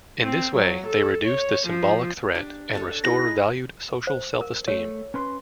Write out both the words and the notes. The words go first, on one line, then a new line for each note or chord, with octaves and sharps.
In this way, they reduce the symbolic threat and restore valued social self-esteem.
C4
F#3
A4
C#5
F3
D4 G4
D4 A4 C#5
D#4 E4 G#4 B4 A#6
C5
A#4
A3 C#5
C#4 B4 C6